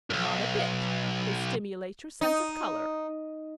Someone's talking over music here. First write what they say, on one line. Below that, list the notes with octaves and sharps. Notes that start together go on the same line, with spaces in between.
"Not a bit: they stimulate your sense of colour."
B1 F#2
D#4